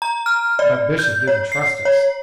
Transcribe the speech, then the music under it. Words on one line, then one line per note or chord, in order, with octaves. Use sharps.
But Bishop didn't trust us.
A#5
F6
D5
G6
C#5
C7
C#5